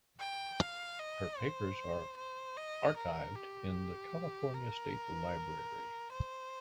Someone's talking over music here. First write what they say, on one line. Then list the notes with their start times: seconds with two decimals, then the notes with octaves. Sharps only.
Her papers are archived in the California State Library.
0.20 G5
0.60 F5
0.99 D#5
1.39 C5
2.17 C5
2.57 D#5
2.97 A#4
3.36 G4
4.54 A#4
6.12 C5